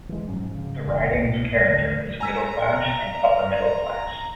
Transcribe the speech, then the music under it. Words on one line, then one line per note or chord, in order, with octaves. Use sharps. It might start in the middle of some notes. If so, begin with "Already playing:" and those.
The riding's character is middle-class and upper-middle class.
E3 G#3
G#2 F3 F#3 C#4
C#3
E1 E2 C#3
C2 G#2 B2
A1 D#2 D3 A3
G#5 A#5 E6 B6